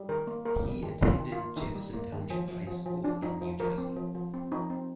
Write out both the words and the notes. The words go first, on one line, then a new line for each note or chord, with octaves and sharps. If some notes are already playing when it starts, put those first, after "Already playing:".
He attended Jefferson Township High School in New Jersey.
Already playing: G3
D#3 A#4
A#3
A#3 A#4
G3
D#3
D#3
F4
D#3
F4
A#3
D#3 D#4
G3
A#3
D#3
F3
F3
F3
F3
F3 D4
F3 D#4
F3
F3 A#4
C4
F3
F3
C4
F3 D#4
C4